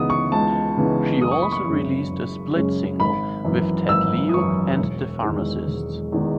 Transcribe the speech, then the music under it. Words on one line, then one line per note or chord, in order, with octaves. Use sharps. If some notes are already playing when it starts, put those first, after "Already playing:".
She also released a split single with Ted Leo and The Pharmacists.
Already playing: C#2 C#3 E3 B3 D#4 D#6
C#6
C#2 A5
C#3 E3 B3 D#4
F#1 D#6
C#6
B5
C#6
F#2 C#3 G#3 C#4
F#1
F#2 C#3 G#3 C#4
G#1 B5
F#2 E3
G#1 E6
D#6
F#2 E3 C#6
E1
E2 D#3 G#3
E1
E2 D#3 G#3